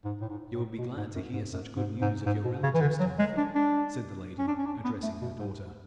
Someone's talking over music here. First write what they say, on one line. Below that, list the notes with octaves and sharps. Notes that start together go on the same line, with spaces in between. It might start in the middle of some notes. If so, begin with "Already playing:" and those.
'You will be glad to hear such good news of your relatives, Dorothy,' said the lady, addressing her daughter.
G#2
A2
G#2
A2
B2
G#2
F#2
G#2
F#2
G#2
G#2
G#2
B2
C#3
E3
D3
F#3
G#3
D4
D4
C#4
D4
C#4
D4
B3
A3
B2
G#2